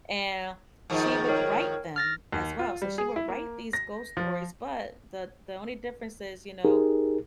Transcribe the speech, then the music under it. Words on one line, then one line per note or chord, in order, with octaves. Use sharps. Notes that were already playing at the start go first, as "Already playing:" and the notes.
and she would write them as well. So, she would write these ghost stories, but the the only difference is, you know
G#2 D#3 F3
A#4 C#5 G5
F6 A6 A#6
D#2
F4
G3
G#4
E4
A#3
A#6
F3
D#4 G4 G#4 A#4